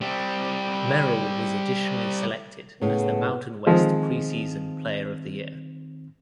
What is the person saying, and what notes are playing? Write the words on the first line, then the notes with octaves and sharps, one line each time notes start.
Merrill was additionally selected as the Mountain West Preseason Player of the Year.
G3 C4
A2 C#3 B3
D#3 F3 G#3 C4